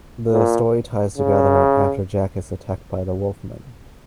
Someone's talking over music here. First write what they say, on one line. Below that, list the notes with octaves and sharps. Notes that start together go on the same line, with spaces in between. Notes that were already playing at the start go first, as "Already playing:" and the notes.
The story ties together after Jack is attacked by the Wolfman.
A#2
C#3